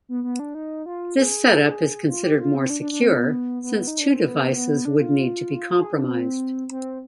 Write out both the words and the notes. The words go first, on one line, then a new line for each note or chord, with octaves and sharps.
This setup is considered more secure since two devices would need to be compromised.
B3
B3
D4
D#4
F4
G#4
G#4
F4
G4
F4
C4
D4
D4
D4
C4
B3
B3
D#4
D4
C4
B3
B3
D4
F4
G#4
D4
C4
C4